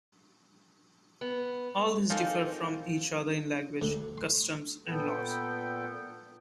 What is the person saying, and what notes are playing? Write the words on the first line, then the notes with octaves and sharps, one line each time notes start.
All these differ from each other in language, customs and laws.
B3
G#3 A#3 C4 D#4 F4 A4
D2 D3
C6
A#2 B3 A4 B4 G5